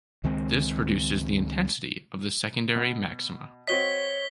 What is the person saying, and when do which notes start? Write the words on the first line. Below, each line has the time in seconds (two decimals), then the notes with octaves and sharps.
This reduces the intensity of the secondary maxima.
0.24 C#2 D#3 G#3 C4
2.76 B2
3.67 C4 F#4 C#5 D#5 B6 G7